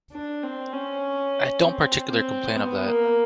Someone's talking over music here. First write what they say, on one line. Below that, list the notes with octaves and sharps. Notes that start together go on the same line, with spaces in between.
I don't particular complain of that.
D4
C4
C#4
C4
C4
B3
A#3